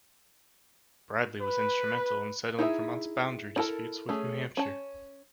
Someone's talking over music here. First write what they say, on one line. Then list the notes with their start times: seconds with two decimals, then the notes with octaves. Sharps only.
Bradley was instrumental in settling Vermont's boundary disputes with New Hampshire.
1.42 B4
2.59 D#4 E4 G#4 E5
3.56 D4 E4 A4 A#4 A5
4.09 A3 C#4 G#4
4.57 C#4 A5